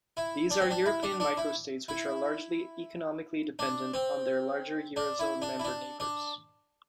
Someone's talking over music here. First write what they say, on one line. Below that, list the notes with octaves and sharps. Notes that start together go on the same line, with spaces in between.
These are European microstates which are largely economically dependent on their larger Eurozone-member neighbours.
E4
D4
C4
D4
E4
D4
D4
E4
E4
D4
C4
D4
E4
D4
E4
D4
D4